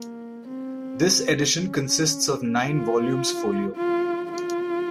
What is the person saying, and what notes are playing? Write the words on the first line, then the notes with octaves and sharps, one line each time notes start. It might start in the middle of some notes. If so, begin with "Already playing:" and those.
This edition consists of nine volumes folio.
Already playing: A#3
C4
C#4
F4
F4
F4